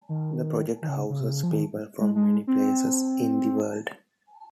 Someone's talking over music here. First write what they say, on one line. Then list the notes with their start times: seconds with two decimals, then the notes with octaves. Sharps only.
The project houses people from many places in the world.
0.09 D#3
0.82 D#3
0.89 C#3
1.10 C#3
1.20 C3
1.31 C#3
1.43 F3
1.52 D#3
2.00 G#3
2.16 G#3
2.47 C4